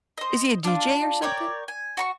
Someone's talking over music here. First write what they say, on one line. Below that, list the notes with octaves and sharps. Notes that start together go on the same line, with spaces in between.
Is he a DJ or something?
C5 D#5
D4 F4
A#4 C#5 D5 G5
G#5
F#4 A#5 C#6